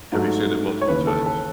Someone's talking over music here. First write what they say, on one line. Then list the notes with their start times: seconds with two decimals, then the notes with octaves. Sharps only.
Have you seen it multiple times?
0.12 G#2 F#3 A3
0.81 C#5
0.88 D#2 C#3 E3 B4
1.07 A4
1.26 A4